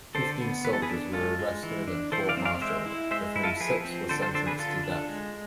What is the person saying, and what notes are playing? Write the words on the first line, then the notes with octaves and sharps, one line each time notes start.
Fifteen soldiers were arrested and court martialed, of whom six were sentenced to death.
D3 A4 C5
B3
E3 B4
A4
G#4 B4
D4
G#3 F4 A4
G#3
E3
D4
E3 A4 C5
D5 F5
C4
D5 F5
G#3 C5 E5
E4
G#3 C5 E5
E4
F4 A4
F3 G#4 B4
C4
D3 A4 C5
A4 C5
D4 A4 C5
G#4 B4
D3 F4 A4
D4
G#3